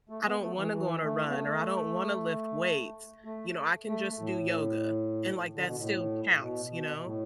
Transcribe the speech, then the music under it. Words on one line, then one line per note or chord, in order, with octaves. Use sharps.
"I don't wanna go on a run, or I don't wanna lift weights," you know, I can just do yoga, and, like, that still counts, you know,
A3
B3
A3
E3
E3
A3
B3
A3
A3
A3
A2
D3
B2
A2
B2
B2
A2